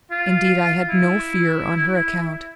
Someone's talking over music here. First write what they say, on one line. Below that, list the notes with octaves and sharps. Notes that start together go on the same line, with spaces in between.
Indeed I had no fear on her account.
F4
E4